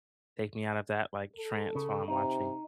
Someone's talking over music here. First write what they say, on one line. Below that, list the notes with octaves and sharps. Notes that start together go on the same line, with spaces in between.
take me out of that, like, trance while I'm watching.
A4
C#3
C3 D#4